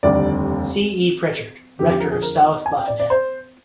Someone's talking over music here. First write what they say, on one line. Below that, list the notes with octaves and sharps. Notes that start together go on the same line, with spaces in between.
C. E. Prichard, Rector of South Luffenham.
F1 D#2 D3 G3 D5
F2 D3 F3 G4
G4
A#4
G#4
A#4
G#5
G5
D5
D5
C5